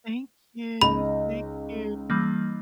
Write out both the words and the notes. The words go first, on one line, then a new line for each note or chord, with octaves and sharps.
Thank you, thank you.
C#2 D#4 A#5 B5 D#6
E3 G3 A#3